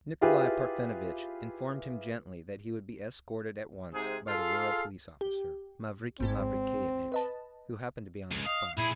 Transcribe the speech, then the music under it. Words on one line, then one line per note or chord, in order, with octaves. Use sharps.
Nikolay Parfenovitch informed him gently that he would be escorted at once by the rural police officer, Mavriky Mavrikyevitch, who happened to be on the spot....
E4 F4 G4 G#4 B4
G#2 C3 G#4
F4 G#4 A4 F5
G4
G#1 G#2 G#3 C4
B4 D#5 A5
C#2
D#5 F5
A#2 E4 G#4